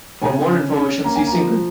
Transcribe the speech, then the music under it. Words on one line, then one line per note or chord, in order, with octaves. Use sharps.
For more information, see single.
C#3 G#5
C#4
C#4
A#3 A#5
G#5
A#5
F3